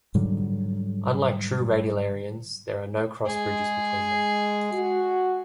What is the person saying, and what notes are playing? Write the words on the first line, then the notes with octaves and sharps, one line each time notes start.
Unlike true radiolarians, there are no cross-bridges between them.
G#2 D3 F#3 G3
G#3 G#4
F#4